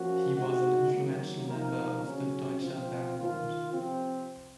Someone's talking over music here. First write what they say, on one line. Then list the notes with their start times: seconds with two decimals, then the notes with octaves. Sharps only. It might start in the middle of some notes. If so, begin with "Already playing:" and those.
He was an influential member of the Deutscher Werkbund.
Already playing: F3 A#3 C#4 F#4
0.36 G#3 D#4 F#4
0.92 D#3 F#3 A#3
1.49 C3 F3 A#3 D#4 A#4
2.05 C#3 F#3 C#4
2.61 F3 C4 F4
3.17 D#3 A#3 F4
3.73 C3 F3 C4